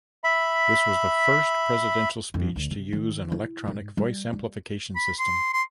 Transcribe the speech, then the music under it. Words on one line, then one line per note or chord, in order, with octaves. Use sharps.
This was the first presidential speech to use an electronic voice amplification system.
E5 B5
F2
D2
C3
D#3
E4
G#2
G3
G3
B5
C6
C6